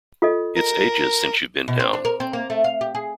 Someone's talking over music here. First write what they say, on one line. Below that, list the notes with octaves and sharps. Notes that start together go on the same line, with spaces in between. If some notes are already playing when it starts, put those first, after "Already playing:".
It’s ages since you’ve been down.
F4 A4 D#5
A#4
B2
C4
D4
A#4
C4
A#3
A3
F5
G4
G#4